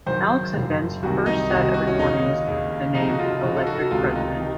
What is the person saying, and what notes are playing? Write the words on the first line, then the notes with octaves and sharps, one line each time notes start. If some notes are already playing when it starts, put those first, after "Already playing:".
Alex and Ben's first set of recordings with the name "Electric President".
F#1 F#2 D#3 C5
F#1 F#2 D#3
C2 C3 D#3 F#4
D#4
C2 C3 D#3 F#4
F#4
C#4
D#2 C#3 D#4
D#2 C#3
F1 F2 C#3 D#4
F#4
F4
F1 F2 C#3 F#4
A4
F#4
C#2 C3 D#3 F4
D#4
C3 D#3